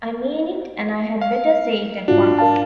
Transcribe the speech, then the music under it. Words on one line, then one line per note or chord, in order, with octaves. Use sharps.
I mean it, and I had better say it at once.
F5
G#2 D4 F4 F#4
A#4 F5 A5